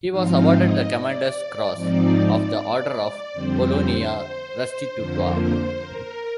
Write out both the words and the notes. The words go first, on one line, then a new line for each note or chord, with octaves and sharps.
He was awarded the Commander's Cross of the Order of Polonia Restituta.
G#2 F3 C4 D#4 F5
D#5
D5
G#2 F3 C4 D#4 D5
F2 D3 G3 C4 C5
F2 D3 F3 A#3
A#4